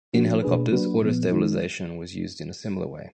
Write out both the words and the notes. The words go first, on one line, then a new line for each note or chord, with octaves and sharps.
In helicopters, auto-stabilization was used in a similar way.
F3 A#3 D4 F#4
B2 A#3 D4 G#4 B4
F#3 A#3 D4 F#4 B4
A#2 F3 B3
D#3 G#3 D#4